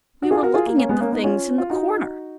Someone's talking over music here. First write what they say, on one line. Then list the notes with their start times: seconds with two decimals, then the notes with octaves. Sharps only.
'We were looking at the things in the corner.'
0.22 F#4
0.31 F4 G#4
0.43 F#4 A#4
0.54 F4 G#4
0.66 A#3
0.78 A#3 C#4
0.89 G#3 B3
1.01 A#3 C#4
1.12 B3 D#4
1.23 C#4 F4
1.58 F4
1.70 D#4 F#4